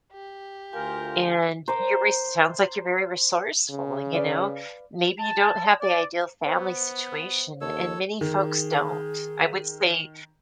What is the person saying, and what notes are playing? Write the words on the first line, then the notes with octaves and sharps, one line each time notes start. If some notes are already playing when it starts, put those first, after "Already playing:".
And your re sounds like you're very resourceful, you know. Maybe you don't have the ideal family situation and many folks don't. I would say
G4
D2 F4 A#4 G#5 G6
C5 A#5 D6
C#3
B4 D5 F5
A5
D5
B3 C5
D#2 A4 C#5 E6
D#3 G#4